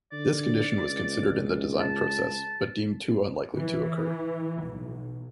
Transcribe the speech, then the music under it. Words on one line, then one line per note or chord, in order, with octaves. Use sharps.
This condition was considered in the design process, but deemed too unlikely to occur.
D3 D5
C#2
A5
E3
B1